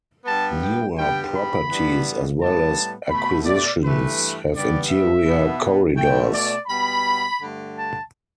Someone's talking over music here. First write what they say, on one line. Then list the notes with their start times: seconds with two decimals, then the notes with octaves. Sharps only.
Newer properties, as well as acquisitions, have interior corridors.
0.24 G2 G3 B3 A5
0.60 G5
0.96 G2 G3 B3 G5
1.32 B5
1.67 G2 E3 G3 B3
2.39 A2 G3 B3 A5
3.10 B2 A3 B5
3.46 D5
3.82 G2 E3 A3 B4
4.53 G2 G3 B3 D5
4.89 E5
5.25 B2 B3
5.96 B2 A3 G5
6.32 D5
6.67 B2 G3 B3 B5
7.39 G2 D3 A3
7.75 A5